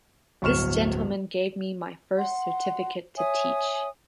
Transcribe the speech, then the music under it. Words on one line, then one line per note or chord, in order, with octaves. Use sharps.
This gentleman gave me my first certificate to teach.
D1 G1 C#6 F6 E7
F#5 C6
C#5 E5 G#5 D#6